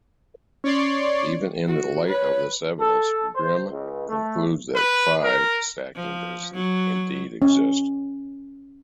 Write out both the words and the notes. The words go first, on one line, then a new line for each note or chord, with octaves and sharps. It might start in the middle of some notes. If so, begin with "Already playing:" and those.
Even in light of this evidence, Grimme concludes that pi stacking does indeed exist.
C#4 C#5 D5 C6
F#4
B4 C#5
A4
C5
C#2
A3
B4
A#4
F3
F#3
C#4